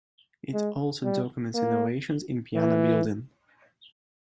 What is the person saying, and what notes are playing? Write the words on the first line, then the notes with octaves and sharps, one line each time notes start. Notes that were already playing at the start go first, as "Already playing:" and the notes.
It also documents innovations in piano building.
G#3
G3
A#3
E3